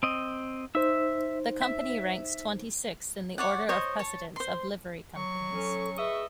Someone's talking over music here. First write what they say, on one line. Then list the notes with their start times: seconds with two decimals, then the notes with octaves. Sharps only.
The Company ranks twenty-sixth in the order of precedence of livery companies.
0.03 C4 D#5
0.75 D#4 C5 E5 E6
1.62 E5
3.38 C#5 D5 F#5
3.69 C5 C#5 D#5
3.99 C#5 A5
4.36 C5 C6
5.16 F#3 C#6
5.54 C#4 A4
5.97 G#4 B4 D#5 E5